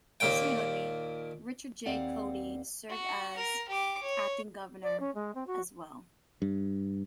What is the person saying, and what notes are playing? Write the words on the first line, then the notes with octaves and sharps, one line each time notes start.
Similarly, Richard J. Codey served as acting governor as well.
D#2 A#2 G5
D#2 C4 D5 F5 F#5
F#4 F#5
A#4
G4 D6
C#5
D5
C#4
G#3
C4
F#4
G2